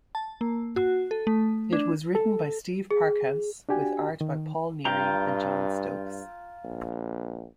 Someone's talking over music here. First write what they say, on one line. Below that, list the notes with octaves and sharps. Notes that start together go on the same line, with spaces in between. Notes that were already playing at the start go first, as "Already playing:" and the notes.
It was written by Steve Parkhouse with art by Paul Neary and John Stokes.
A5
A#3
F#4
A4
A3
D4
A4
G#4
D4 F#4 G4 G#5
D#3
G2 F4 G5 A#5
A#1